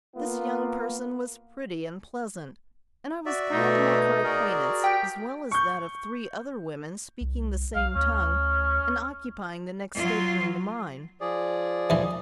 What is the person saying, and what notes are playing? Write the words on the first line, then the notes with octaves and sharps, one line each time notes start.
This young person was pretty and pleasant, and I was glad to make her acquaintance as well as that of three other women speaking the same tongue and occupying the next stateroom to mine.
A#3 B3 F4
F#4 D5 E5
B2 A3 D#4
F#4 G#4 A#4 D5
G4 G5
C#6 G6
C2
B1 F5
D2 C#4
F#3 F4
F3 G#4 D5
D#2 E3